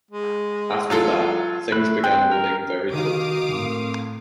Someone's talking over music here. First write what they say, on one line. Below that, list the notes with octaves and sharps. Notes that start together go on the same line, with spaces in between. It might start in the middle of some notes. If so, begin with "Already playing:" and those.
After that, things began moving very quickly.
G#3
F#3 F4 A4
A3 B5 F#6
C4 G#4 G5 C6 F#6
A#4
D#3 F#4 F5 D6 D#6
A2 C4 A#4